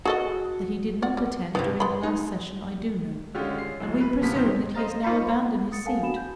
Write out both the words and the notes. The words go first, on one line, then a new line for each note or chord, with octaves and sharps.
That he did not attend during the last Session I do know, and we presume that he has now abandoned his seat.
F#4 G#4 A4 D#5
F4 D5 F#5
G3
G2 C3 E3 B3
B3 B5 C6
D#4
D3 G#3 C#4 F4 G4 G#4
C7
D1
B4
G1 C3 A#3 B3 B6
B1 D#3 C5
C5 D#5 F5 A#5 A6
D#4 F4 C5 B5 C#6
D#6 A6 C#7
A4 A#4 F5 F#5 G#5 A5
D4 F#4 B5 E7
G6